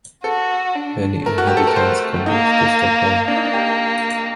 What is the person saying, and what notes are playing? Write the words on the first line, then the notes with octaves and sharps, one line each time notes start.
Many inhabitants commute to Stockholm.
F#4 A4
D4
A3 A#4
F#4
G4
A4
A#4
C5
A#3 D#4
A#3 D4
D#4
D4
G4